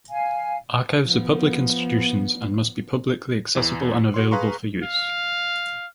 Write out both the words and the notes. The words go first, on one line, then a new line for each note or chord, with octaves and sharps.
Archives are public institutions and must be publicly accessible and available for use.
F5 G#5
F3 B3
E2 E3
F#4 C#5 C6
G#4 B4 F5 A#5 C6 C#6
F5